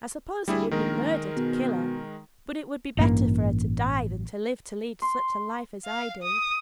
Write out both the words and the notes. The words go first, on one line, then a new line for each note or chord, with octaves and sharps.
I suppose it would be murder to kill her, but it would be better for her to die than to live to lead such a life as I do.
D2 G3 E4 G#4
A#1 D#3 G#3 A#4
B2
A1 G2 A#3
C6
F5
D#6